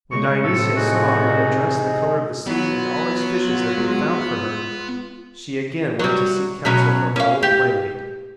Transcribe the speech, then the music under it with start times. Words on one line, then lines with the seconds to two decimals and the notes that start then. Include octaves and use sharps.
When Dionysia saw that a dress the colour of the sea and all its fishes had been found for her she again went to seek counsel from her old playmate.
0.12 C#3 G#3 C#6
0.43 A2 C3 A4
0.76 G#3 D#4 F#4 G#4
2.47 F#3 B3 F4
3.78 G#3
5.99 F#3 G3
6.65 B2 F#3 C#4
7.16 C#4 F5
7.43 G4